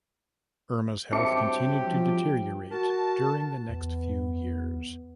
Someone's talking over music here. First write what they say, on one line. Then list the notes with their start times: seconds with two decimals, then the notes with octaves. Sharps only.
Irma's health continued to deteriorate during the next few years.
1.12 G2 F#3 C4 G4 E5 A5 D6 C#7
1.87 F3
2.71 F#4 A#4 A5
3.69 E2 B3